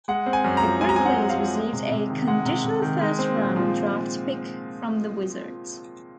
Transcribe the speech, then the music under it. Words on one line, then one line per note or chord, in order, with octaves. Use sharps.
The Grizzlies received a conditional first round draft pick from the Wizards.
G#3 F#5
C4
G#5
F#2
A#5
F3
G#3 G#5
A#5
C4 G#5
F#5
F#2
F5
F3
G#3
C3
C3
D#3
G#3 F#5
C3
C3
D#3
G#3
C4
A#2
F3